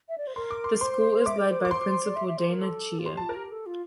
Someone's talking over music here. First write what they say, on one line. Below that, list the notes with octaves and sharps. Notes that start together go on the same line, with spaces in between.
The school is led by Principal Dayna Chia.
E5
D5
C5
A#4 C6
D6
C6
C5 C6
E5 D6
D5
C5
A#4 D6
C5 C6
D5
E5
E5
C5
A#4
A4
F4
G4 C6
F4 A5
A#4
G4
A4
F4